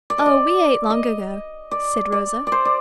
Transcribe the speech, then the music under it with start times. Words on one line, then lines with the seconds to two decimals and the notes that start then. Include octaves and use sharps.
"Oh, we ate long ago," said Rosa.
0.10 D5
0.18 D#5
0.26 D5
0.90 D#5
1.71 D5
2.12 D5
2.47 D5
2.52 C5
2.65 D5